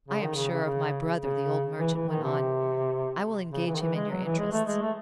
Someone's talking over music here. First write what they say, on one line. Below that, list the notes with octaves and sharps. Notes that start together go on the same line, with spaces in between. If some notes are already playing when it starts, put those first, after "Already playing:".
"I am sure of my brother," the old merchant went on; "I will engage him in your interests."
C#3
D#3
C#3
C#3
C#3
C#3
E3
E3
D#3
C3
C#3
E3
D#3
E3
G#3
F#3
E3
G#3
A3
G#3
A3